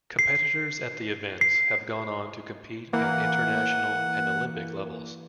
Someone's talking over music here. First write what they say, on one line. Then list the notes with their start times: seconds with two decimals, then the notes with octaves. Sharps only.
Competitors at the events have gone on to compete at international and Olympic levels.
0.19 C7
1.41 C7
2.93 E3 A#3 F#5